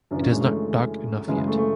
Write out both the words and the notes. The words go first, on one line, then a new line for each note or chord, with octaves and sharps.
It is not dark enough yet.
F#2 C#3 E3 D4
C#4
G#3
A3
F#2 C#3 E3 G#3
G#3
A3
A3